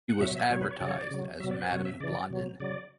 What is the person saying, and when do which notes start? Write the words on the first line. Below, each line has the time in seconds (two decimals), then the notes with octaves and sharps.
She was advertised as Madam Blondin.
0.09 F#5
0.20 B2 F#3 E5
0.36 E5
0.50 B2 F#3 C#5
0.61 B4
0.71 C#5
0.81 C#3 F#3 D5
0.89 C#5
0.96 D5
1.11 C#3 F#3
1.40 F#3 E5
1.44 B2
1.51 D5
1.61 B4
1.71 B2 F#3 C#5
1.85 E5
2.00 C#3 E3 D5
2.30 B2 F#3
2.60 C#3 F#3 D5